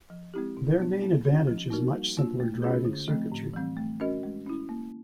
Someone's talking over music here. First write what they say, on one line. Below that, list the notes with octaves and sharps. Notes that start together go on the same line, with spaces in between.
Their main advantage is much simpler driving circuitry.
F3
G#3 C4 E4 G4
B2
F#3 B3 D4
A#3
C#4 F#4
F3
A#3 D#4 F#4 A#4
G3
A#3 D4 F4
A3
C#4 F4 G#4
D3
F3 A3 C4
A2
E3 G3 C4
A3
C#4 F#4 A#4 D#5
G#3
C#4 E4
A#3